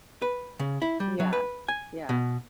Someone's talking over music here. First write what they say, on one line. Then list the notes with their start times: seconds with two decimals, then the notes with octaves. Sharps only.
Yeah. Yeah.
0.22 B4
0.59 C#3
0.82 E4
1.00 G3
1.20 F#3
1.33 B4
1.68 G#5
2.09 B2